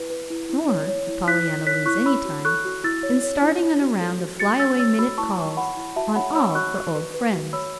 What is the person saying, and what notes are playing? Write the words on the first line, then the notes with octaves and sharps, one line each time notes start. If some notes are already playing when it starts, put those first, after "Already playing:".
Nor did Pollyanna lose any time in starting on a round of fly-away minute calls on all her old friends.
Already playing: E4 B4
B4
E4
E4
C#5
C#5
E4
E4 F#6 B6
C#5
C#5 F#6 B6
E4 C#6 F#6
C#5 B5 E6
F#4
A4 C#6 F#6
F#4
E4 E6 A6
C#5
C#5
E4
C#5
F#4
A4
F#4
F#4 A6 C#7
C#5 E6 A6
C#5 E6 A6
F#4 B5 E6
E4 A5 C#6
C#5
C#5 F#5 B5
E4
F#4 E5 A5
C#5 F#5 B5
C#5 B5 E6
F#4 C#6 F#6
F#4
B4
B4
F#4
C#5 B5 E6